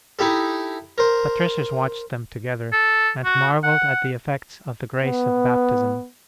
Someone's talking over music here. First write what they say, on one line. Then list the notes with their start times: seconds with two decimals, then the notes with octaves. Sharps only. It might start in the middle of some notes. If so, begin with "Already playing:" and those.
Patricius watched them together, and marvelled at the effects of the grace of Baptism.
0.19 D#4 E4 G4 A4
0.98 A#4 C5
2.72 A4
3.25 F#4
3.63 F#5
5.04 B3